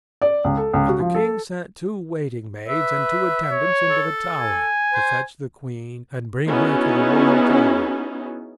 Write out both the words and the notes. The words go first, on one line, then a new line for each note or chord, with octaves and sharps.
And the king sent two waiting-maids and two attendants into the tower, to fetch the queen and bring her to the royal table.
D5
C#2
A4
C#2
F#4
F3
A4
B4 E5
C#5
A4
G#5
C5
B3 C#4 D#4 E4 F#4 G#4